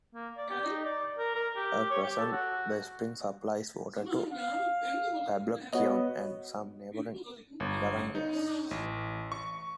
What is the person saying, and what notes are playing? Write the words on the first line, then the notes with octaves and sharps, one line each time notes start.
At present, the spring supplies water into Poblacion and some neighboring barangays.
A#3
D5
G4
D#4
D5
A#4
A#4
G4
C#5
G4
A4
F#4
F5
B3 F#4 C#5 D#5
G1
D#4
A1
C#6